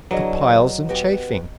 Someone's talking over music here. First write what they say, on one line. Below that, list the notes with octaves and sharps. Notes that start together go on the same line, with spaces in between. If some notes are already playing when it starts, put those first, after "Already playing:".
For piles and chafing.
C#3 E3 F#3 D4 D#5 A#5
B3 F#4 G4